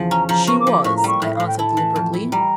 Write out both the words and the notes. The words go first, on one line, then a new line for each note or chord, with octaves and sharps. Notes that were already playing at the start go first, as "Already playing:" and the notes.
'She was,' I answered, deliberately.
Already playing: E2 C#3 F3
C#4 A#5
F3 A#5
A#3 C#6
D6
F3
D6
A2 C#6
A#5
G3 C#6
A2 E5
A2 F5
G5
E4 A5
E3
F2
E4
G3 A#5